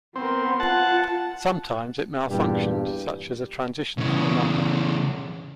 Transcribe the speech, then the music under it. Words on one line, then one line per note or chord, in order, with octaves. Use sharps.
Sometimes it malfunctioned, such as a transition from a number.
B3 C4 A#4
F4 F#5 A5
E2 G2 A#2 D4 G4
C#3 E3